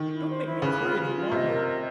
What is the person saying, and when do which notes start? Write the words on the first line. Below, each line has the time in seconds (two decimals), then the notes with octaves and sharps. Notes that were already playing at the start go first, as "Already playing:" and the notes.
Don't make me cry any longer!
Already playing: D#3
0.12 E4
0.28 C5
0.46 E4
0.62 C#3 B4
0.80 F4
0.97 F4
1.14 F4
1.32 C3 D#5
1.48 A#4
1.66 D#5